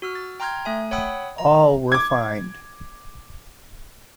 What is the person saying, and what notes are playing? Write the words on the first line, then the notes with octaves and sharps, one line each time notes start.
All were fined.
F#4 E6 F6
A6
G5 A#5 C6 F6 G6 G#6
A3 E5 G#5
C#5 F#5 G5 B5 D#6 E6
A#5
D6 G#6